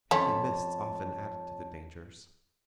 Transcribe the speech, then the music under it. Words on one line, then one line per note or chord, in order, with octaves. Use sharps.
Heavy mists often added to the dangers.
F2 A3 C#4 C#5 A5